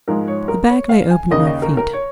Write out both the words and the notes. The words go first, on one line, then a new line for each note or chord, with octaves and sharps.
The bag lay open at my feet.
G#2 F3 G#3 A#4
C#5
A#4
C#5
F5
G#5
D#2 C#3 A#3 D#5
D#5
A#4
A#4
C#5